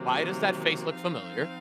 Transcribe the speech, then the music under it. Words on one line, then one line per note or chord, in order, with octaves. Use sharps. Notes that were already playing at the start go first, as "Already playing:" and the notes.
"Why does that face look familiar?"
Already playing: C3 D#3 F#3 A#3
F3 C4 D#4 F5